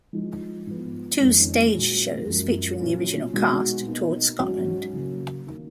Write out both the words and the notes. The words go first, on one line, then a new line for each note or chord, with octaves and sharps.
Two stage shows, featuring the original cast, toured Scotland.
F3 G#3 D#4
G#2 F3 B3
F2 D#3 G#3 C#4 F4
A#2 G#3 C#4 F#4
F#2 F3 G#3
A#2 F#3 C#4 F4
B2 G#3 D#4 F#4
B2 A#3 D#4
G#2 F#3 C#4 F#4
C#3 F#3 A#3
D#3 A#3